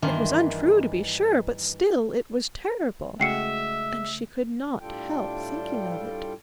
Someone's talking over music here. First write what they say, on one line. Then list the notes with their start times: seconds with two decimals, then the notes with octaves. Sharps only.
It was untrue to be sure, but still it was terrible, and she could not help thinking of it.
0.02 G2 D#3 E3 A#3 F4
3.20 C#3 G#3 A3 F#4 E5 G5 C7 C#7
4.81 A2 G3 D4 F4 A4 G5